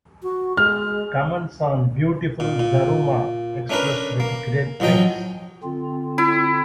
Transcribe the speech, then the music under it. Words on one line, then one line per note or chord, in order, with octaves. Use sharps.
Comments on beautiful Zaruma, expressed with great praise.
F#4
G#3 F6
A#2
A#2
A3 C#4 D4 A#4 B4
A#3
A1 F3 F#3 D#5 G5
D3 C4 F4
E4